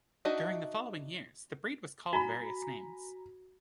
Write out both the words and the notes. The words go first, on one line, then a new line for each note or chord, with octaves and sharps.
During the following years the breed was called various names.
D4 D#4 F#4 D#5 E5
F#4 G#5 A#5 B5